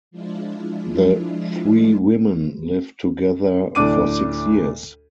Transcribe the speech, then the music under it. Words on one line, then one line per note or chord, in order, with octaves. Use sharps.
The three women lived together for six years.
F3 G#3 D4 E4 F4
D2 A2 D4 D6 D#7